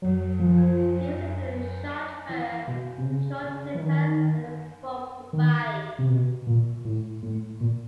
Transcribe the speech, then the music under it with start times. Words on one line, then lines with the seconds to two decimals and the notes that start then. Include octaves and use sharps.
These include short fur, short flippers and a bulky body.
0.02 F#3
0.40 F3
2.29 E3
2.68 B2
2.98 C3
3.05 C#3
3.44 C#3
3.75 E3
3.81 D#3
5.33 D#3
5.99 C3
6.09 B2
6.47 A#2
6.85 A2
7.23 A2
7.61 A#2